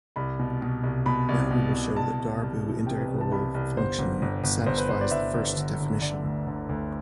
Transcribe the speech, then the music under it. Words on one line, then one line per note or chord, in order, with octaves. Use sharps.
Now we will show that a Darboux integrable function satisfies the first definition.
C2 B5
B2
B2
C2
B2 B5
C2
B2
C2
C2 A5
C2
C2
E3
C3 G5
B4
C2
A5
C2 B5
C2
G1 C5
G1
G1
G1
G1 C5
B4
G1 C5
D5
G1 E5
G1
D3
D3
D3 D5
D2
D3
D2